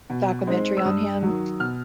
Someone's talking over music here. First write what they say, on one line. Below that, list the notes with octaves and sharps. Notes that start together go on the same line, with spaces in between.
documentary on him.
B2
G#3 C4 D#4
E6
G2 D#6
D#3 F#3
B2 F6